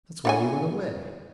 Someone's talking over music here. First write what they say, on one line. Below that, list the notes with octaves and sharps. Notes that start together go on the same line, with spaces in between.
That's why he went away.
D4 F#5 G#5